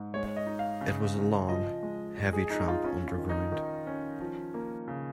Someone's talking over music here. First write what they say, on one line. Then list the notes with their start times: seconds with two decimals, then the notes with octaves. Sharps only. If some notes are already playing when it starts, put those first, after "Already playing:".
It was a long, heavy tramp underground.
Already playing: G#2
0.14 G#3 C#5
0.24 C#5
0.36 D#5
0.47 D#4
0.59 F5
0.81 C#3
1.15 C#3
1.49 F3 D#5
1.83 G#3
2.17 F2
2.33 G#4
2.50 D#4
2.68 F4
2.84 C#4 F4
3.08 F4
3.18 D#3
3.29 D#4
3.52 D#3
3.87 C#4
4.20 F3
4.54 A#3
4.88 C#3